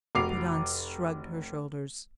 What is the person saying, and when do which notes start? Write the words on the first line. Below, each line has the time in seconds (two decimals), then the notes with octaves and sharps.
Prudence shrugged her shoulders.
0.15 F1 F#4 D6 C7 F7